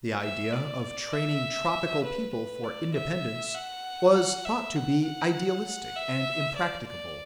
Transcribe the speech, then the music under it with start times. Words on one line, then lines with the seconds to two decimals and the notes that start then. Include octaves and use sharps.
The idea of training tropical people for independence was thought to be idealistic and impracticable.
0.22 E5
0.53 D5
1.14 E5
2.04 B4
2.33 B4
2.64 D5
2.95 E5
3.55 F#5
4.16 F#5
4.45 E5
4.76 F#5
5.05 F#5
5.96 E5
6.56 D5
6.88 D5